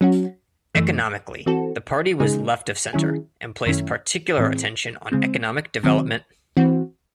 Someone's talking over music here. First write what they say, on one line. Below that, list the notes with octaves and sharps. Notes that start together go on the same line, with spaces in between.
Economically, the party was left of centre, and placed particular attention on economic development.
F#3 C#4 F#4
F#2 E3 A3
E3 C4 F#4 A4
C#3 G#3 D#4 G#4
D#3 F#3 C#4 E4 G#4
F#2 D#3 A3 C#4 E4
A2 E3 G#3 C4
C#3 G#3 C4
C3 D#3 F#3 C4
E3 C4 F#4